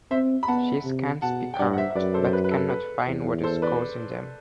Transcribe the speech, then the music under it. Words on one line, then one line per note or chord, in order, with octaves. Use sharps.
She scans Picard, but can not find what is causing them.
C4 C5 E5
B5
B3 F#5 A5
C3
B2 F#5 A5
G5
G2 D5 F#5
F#5
C5 E5
E5
F#2 B4 D5
A4 C5
C5
B4
B4
A4
B4
E2
A4 C5
B4 D5